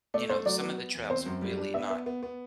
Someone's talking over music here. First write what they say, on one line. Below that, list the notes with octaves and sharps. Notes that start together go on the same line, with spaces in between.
you know, some of the trails are really not,
A3 D5
A3 C5
F#3 D5
B3
B3
E2
C4 C5
F#2
G3
D4
B3 E5
B3
B3
B3